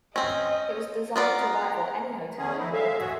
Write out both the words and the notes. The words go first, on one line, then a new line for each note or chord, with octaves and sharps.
It was designed to rival any hotel in Europe.
C4 C#4 D#5
B3 F4 D5 A#5
E2 C#4 G#4
A3 D#4 E4
G#3 A4 E5 F5
F#4 G#4 E5